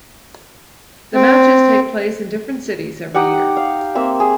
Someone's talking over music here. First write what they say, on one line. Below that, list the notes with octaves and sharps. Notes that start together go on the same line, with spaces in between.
The matches take place in different cities every year.
C4
D#4 G4 F#5
F5
A#3 C4 E5
G#4